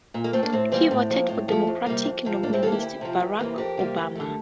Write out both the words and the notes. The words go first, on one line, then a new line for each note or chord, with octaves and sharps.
He voted for Democratic nominee Barack Obama.
A#2
A#3
A3 C4
A#3 D4
A2 C4
E3 G3 A#3 C4
A2
F3 A#3
A2
F3 A3
F2
C3 G3 A#3
F2
C3 F3
A2 A#3 D4
C4 E4
E3 A#3 F4 A4
E4 G4
D2
C3 F3
E2
C3 E3 A#3
F2 G4 A#4
C3 G3 A#3
D2
D3 A3